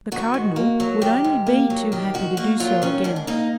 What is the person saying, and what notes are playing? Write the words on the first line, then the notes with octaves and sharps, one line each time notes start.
The cardinal would only be too happy to do so again.
D#3 F#4
G#2
A#3
F#3
D#3 G4
G#2
A#3
F#3
D#3 G4
G#2 F#4
A#3 F#4
F#3 F4
D#3 C#4
G#2 D4
D4
A#3 D#4